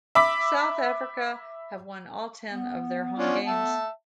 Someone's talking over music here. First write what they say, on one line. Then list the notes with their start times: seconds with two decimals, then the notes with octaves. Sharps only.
South Africa have won all ten of their home games.
0.15 E5 B5 D6 B6
2.50 B3
3.19 C#4 D4 F4
3.47 E5 A5